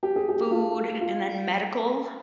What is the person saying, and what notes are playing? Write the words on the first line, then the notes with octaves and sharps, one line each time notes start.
food, and then medical,
G4
G#4
G4
F4
F4